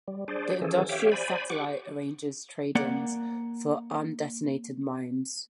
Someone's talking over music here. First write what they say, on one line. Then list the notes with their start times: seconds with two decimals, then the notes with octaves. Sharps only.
The industrious Satellite arranges trade-ins for undetonated mines.
0.08 G3
0.28 D4 G#4 C5 D5
0.62 E3 F3 C#4 G#4 A4
0.89 G4 C#5 E5 F5 G5
1.12 C5 D5 G#5 B5
1.50 G4 F#5 C#6 D6
2.75 A#3 D5 F#5